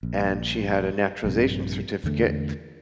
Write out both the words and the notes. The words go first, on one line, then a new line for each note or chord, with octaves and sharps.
and she had a naturalization certificate,
A#1
A#1 G2 C3
E2 D3 A3